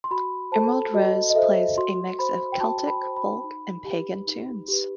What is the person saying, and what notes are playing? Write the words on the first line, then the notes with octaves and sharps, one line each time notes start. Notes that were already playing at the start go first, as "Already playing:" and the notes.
Emerald Rose plays a mix of Celtic, folk, and Pagan tunes.
C6
F#4 B5
A4 C5 A5
F#4 D#5
D#5
A4 C5 E5
F#4 C6
C5 B5
G5
F#4 A5
B5
C5
B5
D#4
G4 B4
D#4
G4 B4